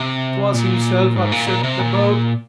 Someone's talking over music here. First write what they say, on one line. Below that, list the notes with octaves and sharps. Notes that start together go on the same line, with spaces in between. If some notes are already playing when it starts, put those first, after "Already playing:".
'Twas himself upset the boat.
Already playing: C3
A#2
G#2
A#2
A#2
C3
A#2